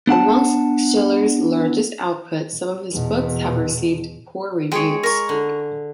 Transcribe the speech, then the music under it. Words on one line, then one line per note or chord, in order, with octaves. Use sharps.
Amongst Schiller's large output, some of his books have received poor reviews.
B3 D4 F#5 A5
E2 B2
G#3 G#4 C#5 G5
A#4 C#6
D3